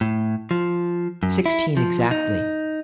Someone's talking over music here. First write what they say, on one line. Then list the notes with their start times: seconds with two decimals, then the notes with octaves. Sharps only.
"Sixteen, exactly."
0.01 A2
0.51 F3
1.23 F#2
1.46 E4
1.77 F3
2.11 D#4